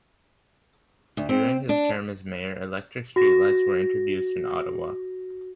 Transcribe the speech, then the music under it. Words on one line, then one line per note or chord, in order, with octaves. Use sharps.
During his term as mayor, electric street lights were introduced in Ottawa.
D2
C4
D4
F#4 A#6